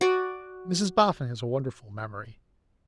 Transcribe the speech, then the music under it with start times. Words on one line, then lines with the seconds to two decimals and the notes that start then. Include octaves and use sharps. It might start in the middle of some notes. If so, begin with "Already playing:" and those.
Mrs Boffin has a wonderful memory.
0.01 F#4 D5